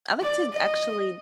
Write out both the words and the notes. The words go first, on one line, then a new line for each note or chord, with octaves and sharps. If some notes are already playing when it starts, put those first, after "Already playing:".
I like to actually
D5
D#5